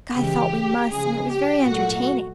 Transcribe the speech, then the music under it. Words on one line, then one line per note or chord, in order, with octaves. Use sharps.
'Guy thought we must, and it was very entertaining.
C#3 E3 G#3 G4
C#3 F3 G#3 G#4
G4
A#2 F#3 A3 F#4